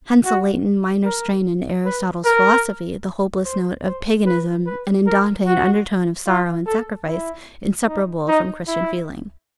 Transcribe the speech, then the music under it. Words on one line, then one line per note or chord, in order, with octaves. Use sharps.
Hence, a latent minor strain in Aristotle's philosophy, the hopeless note of paganism, and in Dante an undertone of sorrow and sacrifice, inseparable from Christian feeling.
F#4
A#4
B4
A#4
C5
C5
B4
B4
A#4
F#4
F4
A4
E4
D#4
D#4
E4